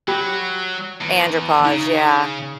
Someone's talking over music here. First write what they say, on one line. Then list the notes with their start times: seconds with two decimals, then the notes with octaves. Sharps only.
Andropause, yeah.
0.08 F#3 G4 B5
1.01 E2
1.65 C#3 D#4